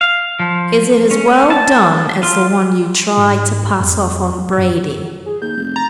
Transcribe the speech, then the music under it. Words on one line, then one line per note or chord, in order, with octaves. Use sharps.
"Is it as well done as the one you tried to pass off on Brady?"
F5
F3
C#4
A5
F4
G#2
F2
F#2
G#4
D#2 G6
F1
A#5 A6